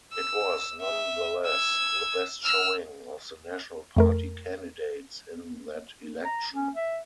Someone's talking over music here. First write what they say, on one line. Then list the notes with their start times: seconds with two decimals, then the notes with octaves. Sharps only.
It was nonetheless the best showing of the National Party candidates in that election.
0.13 E6
0.81 E5
1.46 E6 G#6
2.44 E6 F6
3.97 F2 A3 A#4
6.25 A#5
6.54 C#4
6.75 E5